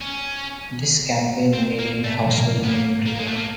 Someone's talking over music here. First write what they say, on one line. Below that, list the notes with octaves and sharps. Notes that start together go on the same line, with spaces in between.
This campaign made him a household name in Britain.
C#4
C4
A#3
A3
A#3
B3
A#3
A#3
G#3
A3
A#3